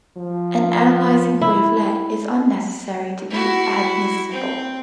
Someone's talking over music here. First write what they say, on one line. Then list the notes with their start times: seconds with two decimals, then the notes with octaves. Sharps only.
An analyzing wavelet is unnecessary to be admissible.
0.17 F3
1.41 E4
3.30 E4 F#4
4.32 C4